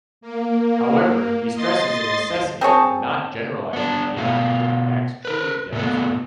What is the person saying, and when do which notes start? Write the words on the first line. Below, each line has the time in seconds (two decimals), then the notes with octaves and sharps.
However, he stresses the necessity of not generalizing beyond what the facts truly demonstrate.
0.21 A#3
1.53 D#5 C6 A6
2.61 C4 G#4 C#5 A5
3.73 B3 D4
4.17 B2 F4
5.25 A#4 B4
5.73 A#2 A3 B3